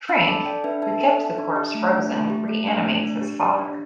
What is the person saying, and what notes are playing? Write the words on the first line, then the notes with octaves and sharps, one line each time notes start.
Frink, who kept the corpse frozen, reanimates his father.
D4 B5 E6
A4 A5 D6
A4 D5 G5
D4 B4 E5
D4 E5 A5
A4
A4
D4
G4
A3
D4
A3
G4
A3
D4
A3
D4
G4
G4
D4